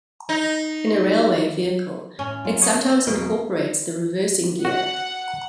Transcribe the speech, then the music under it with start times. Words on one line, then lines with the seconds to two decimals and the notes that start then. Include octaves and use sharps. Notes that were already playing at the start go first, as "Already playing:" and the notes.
In a railway vehicle, it sometimes incorporates the reversing gear.
0.29 D#4
2.19 A2 C#4
2.45 F#3 G#3 F4
2.62 C#5 D#5
2.75 A3 C#4
3.07 E2 B2 F#3 G#3 A#4
4.65 F#4 F#5